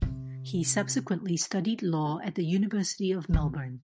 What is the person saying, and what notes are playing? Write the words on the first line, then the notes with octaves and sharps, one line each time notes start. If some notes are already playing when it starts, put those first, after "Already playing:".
He subsequently studied law at the University of Melbourne.
C3
D#3